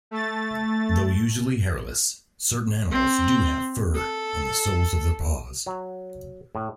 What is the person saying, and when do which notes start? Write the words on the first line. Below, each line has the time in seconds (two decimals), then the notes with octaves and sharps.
Though usually hairless, certain animals do have fur on the soles of their paws.
0.11 A3 A6
2.91 C4
3.95 A4
5.66 F#3
6.55 A2